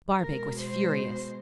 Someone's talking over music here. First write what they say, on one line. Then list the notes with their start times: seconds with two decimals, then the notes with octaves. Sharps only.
Barbaik was furious.
0.21 B2 G#3 A#4
0.59 C5